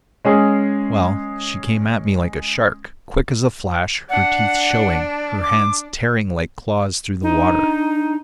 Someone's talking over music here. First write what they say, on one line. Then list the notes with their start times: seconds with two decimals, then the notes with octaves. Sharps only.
Well, she came at me like a shark, quick as a flash, her teeth showing, her hands tearing like claws through the water.
0.25 G#3 C#4 G#4
4.10 D4 F#5
5.42 D6
7.23 D4 D#4